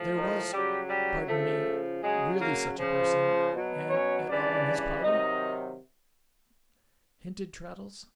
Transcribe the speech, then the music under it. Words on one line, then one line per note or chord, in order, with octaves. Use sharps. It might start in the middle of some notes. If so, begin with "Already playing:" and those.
'There was--pardon me--really such a person, and at all in his power?' hinted Traddles.
Already playing: A2 F3
D#3 D#4
C#3 F#3 G3 G4
G3 G4
C#3 F3 A3 A4
C#3 F#3 G#3 G#4
A#3 A#4
C#3 F3
B2 F#3
C#4 C#5
C#3 E3 G3 D4 D5
C3 D#3 F#3 D#4 D#5